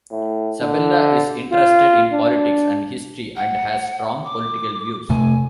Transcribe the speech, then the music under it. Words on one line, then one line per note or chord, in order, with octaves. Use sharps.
Sabella is interested in politics and history and has strong political views.
A2
D3
F4
D4
F#5
D6
F2 C3 A3 G#5